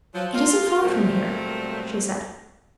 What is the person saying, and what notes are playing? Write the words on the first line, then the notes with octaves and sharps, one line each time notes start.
"It isn't far from here," she said.
F3 F#3
F4 A#4
A#2 F#3 G3 A3 C4 A#4